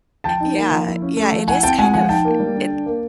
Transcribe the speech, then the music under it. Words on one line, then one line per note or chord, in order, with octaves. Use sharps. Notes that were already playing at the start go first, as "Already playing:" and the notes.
Yeah, yeah, it is kind of it
F3 G5 A5
D#4
A#3
F3
E4
C#4
A3
F3
E4 F#5 G#5
C4 G5 A5
G#3 F#5 G#5
F3 F#5 G#5
D#4 G5 A5
A#3
G3
D3
D4
A#3